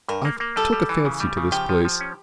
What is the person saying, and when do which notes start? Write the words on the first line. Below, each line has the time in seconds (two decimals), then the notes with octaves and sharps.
I've took a fancy to this place.
0.09 G2 A#4
0.25 A#3
0.40 A#3
0.56 G3 A4
0.73 G3
0.89 E3
1.05 C#3
1.20 G3
1.37 C#3
1.52 F3 G4
1.69 F3
1.85 F3
2.01 C#4